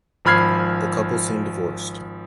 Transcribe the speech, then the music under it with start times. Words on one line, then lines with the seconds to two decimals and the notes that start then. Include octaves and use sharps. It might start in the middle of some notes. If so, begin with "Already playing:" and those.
The couple soon divorced.
0.25 G#1 F3 B5 F6 G#6 C7